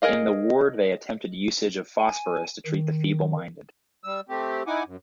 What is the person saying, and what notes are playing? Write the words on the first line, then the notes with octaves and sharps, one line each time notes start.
In the ward they attempted usage of Phosphorus to treat the feeble-minded.
G#4 A#4 D#5 F5
G#5
D#3
G3 E6
A3 C4 G4
D#4 E4 F#5 G#5 D6
F#2